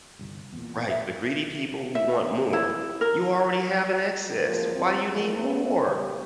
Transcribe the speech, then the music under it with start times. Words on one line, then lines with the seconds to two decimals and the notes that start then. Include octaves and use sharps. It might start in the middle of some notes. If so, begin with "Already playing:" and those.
Right, the greedy people who want more, you already have an excess. Why do you need more?
0.19 G1 C2
0.52 E2 A#2
0.90 E5
1.95 E5
2.53 E4
3.01 A#4
4.43 F#2 F3 G#3 A#3 A#4
4.75 F#2 F#3 C4 F4
5.11 E2 A#2 F3 G#3 G#4
5.40 B3 C#4
5.85 C#3 G3 G4